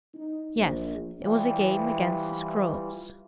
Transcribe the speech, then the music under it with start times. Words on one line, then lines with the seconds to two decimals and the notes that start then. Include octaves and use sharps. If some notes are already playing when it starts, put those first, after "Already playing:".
Yes, it was a game against the scrubs.
0.15 D#4
0.56 A#1
1.22 E3 F3 G3